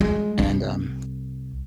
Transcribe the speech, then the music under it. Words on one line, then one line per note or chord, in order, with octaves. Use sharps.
And, um
G#3
C2